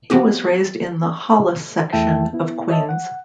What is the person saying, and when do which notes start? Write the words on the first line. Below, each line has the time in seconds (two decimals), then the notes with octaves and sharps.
He was raised in the Hollis section of Queens.
0.10 F3 B3 C4 F#4 G4
1.93 E2 A3 E4 E5 G5 A5
2.33 B3 E4
2.68 C#5 D#5 E5 A5
2.89 F#5